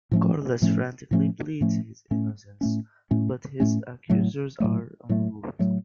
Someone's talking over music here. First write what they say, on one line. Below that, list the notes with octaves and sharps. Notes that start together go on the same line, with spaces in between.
Corliss frantically pleads his innocence, but his accusers are unmoved.
A2 F3 A3 C#4
A2 F3 A3 C#4
A2 F3 A3 C#4
A2 F3 A3 C#4
A2 A3 C#4
A2 A3 C#4
A2 A3 C#4
A2 A3 C#4
A2 F#3 A3
A2 F#3 A3
A2 F#3 A3
A2 F#3 A3